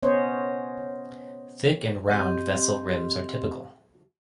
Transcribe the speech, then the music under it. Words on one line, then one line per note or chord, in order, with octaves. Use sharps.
Thick and round vessel rims are typical.
B3 C#4 C5 C#5 D#5
C4 G4 D#5 C6